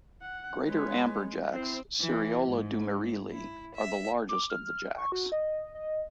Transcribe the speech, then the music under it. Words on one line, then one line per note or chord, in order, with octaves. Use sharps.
Greater amberjacks, "Seriola dumerili", are the largest of the jacks.
F#5
G#3 B4 C#5
C4 E4 C5
E3
G#2
E4
E5
D6
F6
C#6
F#4
D#5
D#5